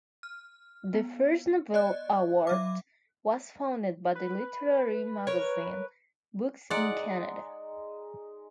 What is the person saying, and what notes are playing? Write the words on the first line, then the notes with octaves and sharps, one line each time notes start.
The First Novel Award was founded by the literary magazine "Books in Canada".
F6
B3
D5 D#5 F#6
F#3 E5 D6
B4
A#4 C#5
G#3 D#4 D5 F#5